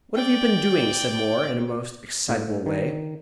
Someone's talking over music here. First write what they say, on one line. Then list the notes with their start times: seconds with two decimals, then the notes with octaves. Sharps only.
"What have you been doing?" said Moore, in a most excitable way.
0.15 D5 G5
2.28 A2
2.66 D#3